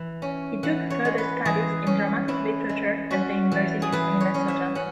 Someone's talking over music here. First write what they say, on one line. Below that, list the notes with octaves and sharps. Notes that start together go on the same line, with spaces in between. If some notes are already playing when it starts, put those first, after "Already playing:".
He took further studies in dramatic literature at the University of Minnesota.
Already playing: E3
C#4
E3 F#5
C#5
G#3
B4
E3 G#4
C#4
E3 E4
G#3
C#4 F#4
E3
G#4
E3 B4
C#5
C#4
E5
C#4 F#5